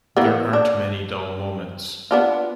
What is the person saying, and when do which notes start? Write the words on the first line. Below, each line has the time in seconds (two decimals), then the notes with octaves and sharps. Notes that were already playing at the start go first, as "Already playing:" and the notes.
There aren't many dull moments.
0.17 E3 A#3 B3
0.53 D4
2.11 B3 D4 F4